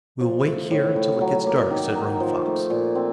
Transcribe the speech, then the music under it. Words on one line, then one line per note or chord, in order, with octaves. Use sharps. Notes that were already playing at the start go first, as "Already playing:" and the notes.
"We will wait here until it gets dark," said Running Fox.
F3
A3
A2
A2
F#3
A#3
D#3
D#4
F3
A3
A#2
C4